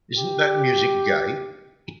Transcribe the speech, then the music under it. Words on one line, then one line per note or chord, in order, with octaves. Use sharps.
Isn't that music gay?
G4